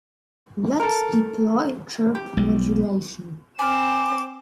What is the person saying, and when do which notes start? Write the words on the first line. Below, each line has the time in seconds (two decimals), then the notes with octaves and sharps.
Let's deploy chirp modulation.
0.80 A4 A#4
2.15 G4
2.37 B1
3.59 C4 G#5 B5 D6 F6 E7